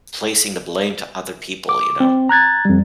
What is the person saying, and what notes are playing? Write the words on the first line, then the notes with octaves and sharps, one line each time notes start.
placing the blame to other people, you know?
D6
C4
A#5 F#6 G#6 A6
F2 G3